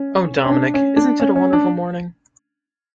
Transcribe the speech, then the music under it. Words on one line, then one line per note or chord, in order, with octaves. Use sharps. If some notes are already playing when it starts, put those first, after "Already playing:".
Oh, Dominic, isn’t it a wonderful morning?
Already playing: C#4
C#4
D4
C#4
D4
C#4
C#4
D4